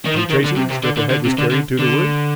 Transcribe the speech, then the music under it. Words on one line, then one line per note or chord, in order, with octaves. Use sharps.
"Any traces that the head was carried to the wood?"
D#3
F3
D#3
D3
C3
C3
D3
D3
D3
C3
D3
D3
D3